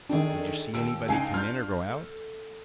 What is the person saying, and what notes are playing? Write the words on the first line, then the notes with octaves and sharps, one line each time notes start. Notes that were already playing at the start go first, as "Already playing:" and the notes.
"Did you see anybody come in or go out?"
D#3 D4 G#4 A4 G5
D#2 A#2 G4 E6 D7
C#2 D4 D#4 G5 G#5 C7
D4 F4 F6 G6
A4